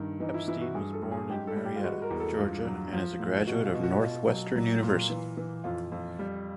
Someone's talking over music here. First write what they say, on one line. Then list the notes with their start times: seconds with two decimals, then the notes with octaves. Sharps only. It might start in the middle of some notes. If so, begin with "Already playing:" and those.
Epstein was born in Marietta, Georgia and is a graduate of Northwestern University.
Already playing: G2 D#3
0.20 E3 D#4
0.34 E4
0.48 E3 E4
0.61 F#4
0.75 G2 G#4
0.93 A4
1.02 G2
1.12 G#4
1.30 G#2 G4
1.47 A4
1.56 G3
1.65 G4
1.76 F4
1.83 G#3 F#4
2.02 A#4
2.11 E2
2.20 A4
2.38 G2 F4
2.65 F#3
2.93 F3
3.19 A2
3.47 B2 F#4
3.65 F4
3.74 B2
3.83 F#4
4.01 B2 F4
4.28 F#3
4.56 F#3
4.83 A#2
5.10 E3
5.37 E3
5.64 F2 F4
5.92 F2
6.19 G3